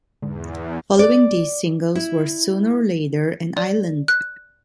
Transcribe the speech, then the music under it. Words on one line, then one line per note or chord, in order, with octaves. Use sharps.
Following these singles were "Sooner or Later" and "Island".
E2 G#2 D3
D5
E4
D5
F#6